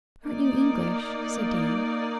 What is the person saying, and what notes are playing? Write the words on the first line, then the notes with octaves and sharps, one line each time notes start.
'Aren't you English?' said Dan.
A#3 D#4 A#4 D5